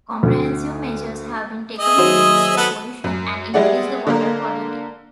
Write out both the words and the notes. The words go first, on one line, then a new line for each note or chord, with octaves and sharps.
Comprehensive measures have been taken to reduce the pollution and increase the water quality.
D2
G#4 D#5 E5
D#3 F#3 C5
B3 A4 F#5
F#2
G3 G#3 E4 G#4 D5 F#5
D3 A#3 A#4